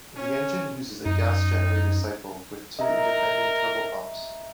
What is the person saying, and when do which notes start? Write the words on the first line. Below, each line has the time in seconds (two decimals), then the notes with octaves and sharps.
The engine uses a gas generator cycle with two independent turbopumps.
0.17 C#4
1.06 F#2 D#4
2.79 A#4 D#5 E5 A#5